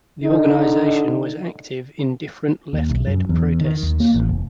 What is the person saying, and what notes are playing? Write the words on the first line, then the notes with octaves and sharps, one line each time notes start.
The organisation was active in different left led protests.
D3 D#4
D#2
B1
F#2
E2
D#3
D#2
A#3
A1
F1